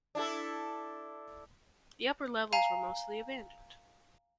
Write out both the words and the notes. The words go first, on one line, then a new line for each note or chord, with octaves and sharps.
The upper levels were mostly abandoned.
D4 E4 A4
F5 G#5 A#5 F7